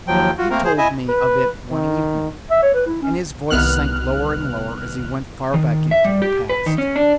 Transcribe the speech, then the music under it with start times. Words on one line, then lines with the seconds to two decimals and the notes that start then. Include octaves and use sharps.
He told me of it one evening, and his voice sank lower and lower as he went far back into the past.
0.08 D#2 F3 F#3 G5
0.38 F4 F#4
0.50 A3 A#3 C4 A#4
0.64 G#4 C5
0.78 E4 D#5 E5 G#5
1.09 B4
1.71 D#3
2.50 E5
2.63 C#5
2.74 B4
2.86 E4
3.02 C#4
3.50 C2 D#3 B3 F6 F#6
5.54 D#3
5.91 E5
6.05 G3
6.22 G4
6.49 B4
6.66 D#3
6.78 C#4
6.96 D4